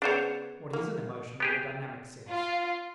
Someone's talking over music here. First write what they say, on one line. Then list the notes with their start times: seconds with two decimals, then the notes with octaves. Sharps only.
What is an emotion in the dynamic sense?
0.02 C#3 A3 B3 D4 C5 C#5
0.73 A#3
1.40 B3 G4 G#4
2.29 F4